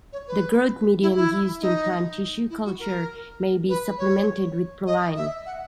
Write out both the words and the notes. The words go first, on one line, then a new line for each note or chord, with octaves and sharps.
The growth medium used in plant tissue culture may be supplemented with proline.
C#5
B4
E4
E4
D#4
E4
F#4
A#4
B4
C#5
D#5
E5
F#5